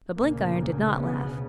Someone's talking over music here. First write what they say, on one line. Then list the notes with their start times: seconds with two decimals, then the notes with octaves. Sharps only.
But Blenkiron did not laugh.
0.18 D2 A#2 C#3 A#3
0.97 B2 B3